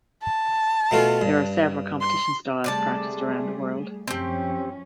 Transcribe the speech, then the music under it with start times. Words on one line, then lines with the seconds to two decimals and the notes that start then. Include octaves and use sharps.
There are several competition styles practised around the world.
0.23 A5
0.91 B2 A3 F4
1.22 G2
2.01 C6
2.64 C3 G3 A3 G#4 D5 A5
4.08 F#2 F3 C4 C#4 G4